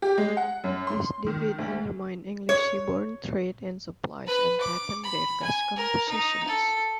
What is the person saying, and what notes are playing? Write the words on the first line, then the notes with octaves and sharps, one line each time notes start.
This defeat undermined English seaborne trade and supplies and threatened their Gascon possessions.
G4
G#3
F#5
F#2
C6
D#3
D2
C#5
B4
D6
B5
G#5
A#4
D#4
A4